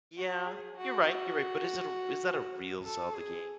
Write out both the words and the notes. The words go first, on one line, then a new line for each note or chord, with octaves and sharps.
Yeah, you're right, you're right, but is it a r is that a real Zelda game?
F#4
G#4
F#4
F#4
A4
G#4